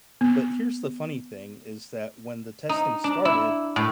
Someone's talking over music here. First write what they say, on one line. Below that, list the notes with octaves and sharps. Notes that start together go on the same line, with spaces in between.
but here's the funny thing, is that when the testing started,
B3
D#4
D4
E4
A2